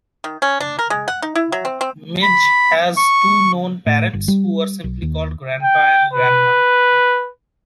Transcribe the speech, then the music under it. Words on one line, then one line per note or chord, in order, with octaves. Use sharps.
Midge has two known parents who are simply called "Grandpa" and "Grandma".
D#3
C#4
D4
A#4
G#3
F#5
D#4
E4
F#3
C4
C4
B5
C#6
A2
G1
G3
B1
D#2
G5
B4